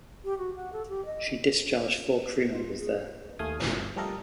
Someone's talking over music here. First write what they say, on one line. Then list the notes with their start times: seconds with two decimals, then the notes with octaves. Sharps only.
She discharged four crew members there.
0.25 G4
0.39 F#4
0.56 F#5
0.73 A4
0.89 G4
1.06 D#5
2.26 B4
2.39 B3
2.52 F4
2.79 G#4
3.39 D#2 A3 F5 G#5 D#6
3.64 G1 A#2
3.96 F3 G3 A3 A4 A#4 D#5